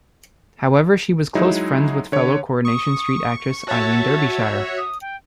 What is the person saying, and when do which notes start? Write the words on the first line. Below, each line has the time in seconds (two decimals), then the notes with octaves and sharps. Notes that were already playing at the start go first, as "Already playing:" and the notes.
However she was close friends with fellow Coronation Street actress Eileen Derbyshire.
1.35 F#3 G#3 D#4 E4
2.12 D3 C#5
2.65 C#6 D#6
3.67 F#4 C#5 E5 A5
4.78 D#6
5.01 G5